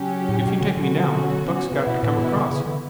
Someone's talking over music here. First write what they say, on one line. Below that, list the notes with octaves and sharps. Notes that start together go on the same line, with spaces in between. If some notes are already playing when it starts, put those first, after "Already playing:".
If you take me now, Buck's got to come across.
Already playing: C#3 F#3 C#4 G4
A2
B2
D3
B2 D3 F#3 C#4 F#4
C#3 E3 B3 E4
B2
A2
B2
D3
C#3
D3